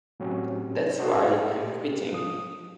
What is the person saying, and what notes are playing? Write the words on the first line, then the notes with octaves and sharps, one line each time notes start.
That's why I'm quitting.
A2 F#3 C4 C#4 G4
D4 D#4 F#4 G4 A4 C5
G4
F3 D#6